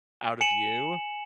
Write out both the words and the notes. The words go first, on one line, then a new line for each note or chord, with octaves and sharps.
out of you
G#5 C#7 E7 F#7